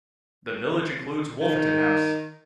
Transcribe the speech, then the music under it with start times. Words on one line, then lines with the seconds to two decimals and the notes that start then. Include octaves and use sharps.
The village includes Wolfeton House.
1.41 D#3